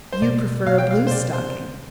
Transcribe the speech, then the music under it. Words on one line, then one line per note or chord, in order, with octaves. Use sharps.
"You prefer a bluestocking."
C5
B2 D5
B2 F5
G5
F5
C5
C3 D5
C5